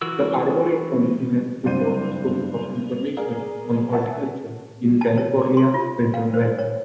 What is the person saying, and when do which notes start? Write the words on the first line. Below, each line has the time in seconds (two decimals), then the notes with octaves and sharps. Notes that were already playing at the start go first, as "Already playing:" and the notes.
The Arboretum is an important source of information on horticulture in California's Central Valley.
0.02 E3 F#4 A#4 E6
1.63 F#1 G2 C4 D4 C5 D#7
3.17 G#4 A#4 D5
3.93 C#5 E5 F#5 G#5 A5
5.01 A5
5.18 C#5
5.42 D6
5.57 C6
5.74 F4
6.14 F5
6.34 C5
6.59 C#5